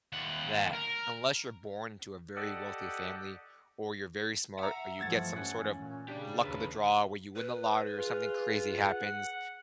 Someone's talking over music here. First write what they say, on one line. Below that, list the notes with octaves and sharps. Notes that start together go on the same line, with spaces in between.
that, unless you're born into a very wealthy family, or you're very smart, or you get some sort of luck of the draw where you win the lottery or something crazy happens,
D#2 F#5
A#4
G4 A4 D5 D#5 F#5
E5 F#5 A#5
G2 E3 F3 A3 E6 G#6 A6
C#4 F#6
A#2
C#3 D4 G4 D5
D#2 A4 B4
B4
F4 G#4
F#5